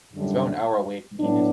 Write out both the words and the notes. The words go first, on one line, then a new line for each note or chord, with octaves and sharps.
It's about an hour away from Enid.
F#2 D3 G3 D4
A2 F#3 B3 D4